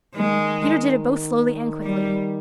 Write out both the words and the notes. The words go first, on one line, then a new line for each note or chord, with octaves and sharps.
Peter did it both slowly and quickly.
D#3 G#3
G3